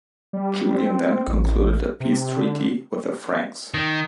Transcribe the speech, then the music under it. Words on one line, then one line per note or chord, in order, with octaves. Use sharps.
Julian then concluded a peace treaty with the Franks.
G3
C4
A1
C3
D3
D#3